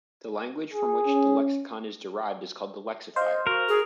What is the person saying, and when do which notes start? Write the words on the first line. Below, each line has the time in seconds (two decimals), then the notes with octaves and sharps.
The language from which the lexicon is derived is called the "lexifier".
0.73 G#4
1.07 C#4
3.16 C5 D#5 F5
3.47 F#4 A#4
3.69 G#4